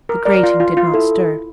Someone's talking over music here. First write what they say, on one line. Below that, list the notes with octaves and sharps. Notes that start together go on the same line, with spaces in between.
The grating did not stir.
A#4
A#4 D5
F4
F4
F4
E4 A4